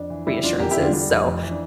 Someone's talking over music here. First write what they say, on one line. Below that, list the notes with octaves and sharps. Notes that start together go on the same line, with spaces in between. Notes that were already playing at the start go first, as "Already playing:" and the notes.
reassurances, so,
Already playing: F2 D4
E3
G3 E4
F1 D4 F4
E2 G4 A#4
E4 G4
D3
D4 F4
G3
F1
F2
E3
D4